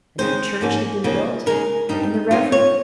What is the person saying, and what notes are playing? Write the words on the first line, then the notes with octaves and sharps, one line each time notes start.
A new church had been built, and the Rev.
C#3 G#3 C4 D#4 C5
G#2 F3 A#3 C#4
D#2 C#3 F3 A#3
C#3 G#3 D#4 A#4
G2 G3 C4 D#4
C#3 G#3 C4 D#4 F4
C#5